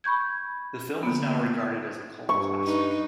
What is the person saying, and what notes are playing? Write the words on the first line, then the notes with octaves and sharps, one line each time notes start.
The film is now regarded as a cult classic.
B5 C#6 G6 G#6
D3 A#3 B3
G2 C#6
D#4 B4